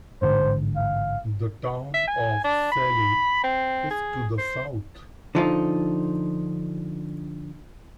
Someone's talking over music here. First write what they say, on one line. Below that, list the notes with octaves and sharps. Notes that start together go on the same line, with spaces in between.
The town of Salley is to the south.
A1 G#2 D3 C5
F5
E5
G#5
D4
B5
C4
G#4
C5
D3 F3 D#4